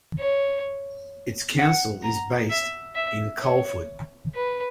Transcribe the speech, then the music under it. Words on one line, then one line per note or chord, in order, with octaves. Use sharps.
Its council is based in Coleford.
C#5
F#5
A#5
E5
E5
C#5
B4